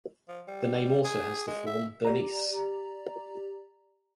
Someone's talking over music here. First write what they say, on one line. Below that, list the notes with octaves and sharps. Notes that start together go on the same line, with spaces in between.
The name also has the form Bernice.
F3
G3
G#4
G#3
E5
G4 D5 A#5